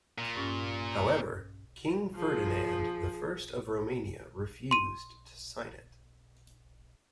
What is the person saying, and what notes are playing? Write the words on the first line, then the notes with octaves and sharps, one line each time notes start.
However, King Ferdinand the First of Romania refused to sign it.
A#2
G2 C#4 A6
F3 G#4
C6 D#7